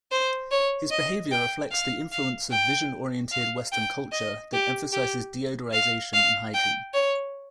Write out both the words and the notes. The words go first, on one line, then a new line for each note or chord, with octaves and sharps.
His behavior reflects the influence of vision-oriented Western culture that emphasizes deodorization and hygiene.
C5
C#5
D#5
G5
F5
F5
G5
F5
G5
D#5
G4
G4
F5
F5
G5
C#5